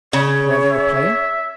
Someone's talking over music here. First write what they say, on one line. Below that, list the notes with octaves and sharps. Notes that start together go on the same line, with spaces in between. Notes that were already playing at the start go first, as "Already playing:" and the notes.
"Where they are playing?"
C#3 C#5
E5